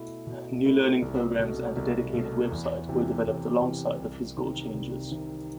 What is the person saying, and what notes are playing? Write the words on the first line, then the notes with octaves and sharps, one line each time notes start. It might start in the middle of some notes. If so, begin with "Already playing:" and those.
New learning programmes and a dedicated website were developed alongside the physical changes.
Already playing: B2 A3 E4
B2
A3 E4
C2
B2 A3
C2
B2 A3
E2
C3 E3
E2
C3 E3
C2
C3 D#3
C2
C3 D#3